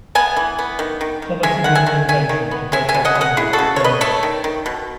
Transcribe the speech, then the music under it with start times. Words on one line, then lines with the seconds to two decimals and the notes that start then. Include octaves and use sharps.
Some attribute the invention to Bertel Sanders, of Denmark.
0.15 B3 E5 G#5
0.37 E3
0.59 B3
0.79 D#3
1.01 D#3
1.22 D#3
1.43 G#3 E5 G#5
1.64 D#3 F#5
1.75 E5 G#5
1.87 D#3
2.09 D#3 E5 G#5
2.29 D#3
2.51 B3
2.72 G#3 E5 G#5
2.89 E5 G#5
2.94 B2
3.05 D#5 F#5
3.15 B2
3.21 D#5 F#5
3.37 C#3 E4 G#4
3.53 F#4 A4
3.59 C#3
3.76 C#5
3.80 C#3 B4 D#5
4.01 A3 C#5 E5
4.23 D#3
4.44 D#3
4.66 B2